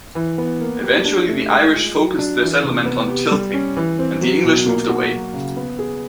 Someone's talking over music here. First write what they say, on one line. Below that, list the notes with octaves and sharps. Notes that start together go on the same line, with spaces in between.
Eventually the Irish focused their settlement on Tilting, and the English moved away.
E3
B3
A#3
G4
D4
A3
G#3
F4
F#3
D4
E3
C3
B3
G4
G3
C#4
E3
C4
F#3
B2
A#3
F#4
F#3
C#3
B3
G#4